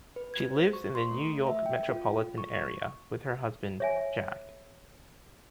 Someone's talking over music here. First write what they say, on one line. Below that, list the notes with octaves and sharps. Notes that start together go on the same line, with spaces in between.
She lives in the New York metropolitan area, with her husband, Jack.
B4
G#6
C5
C#6
C6
A3
E5
G5
F4
C#6
C#5 E5 G#5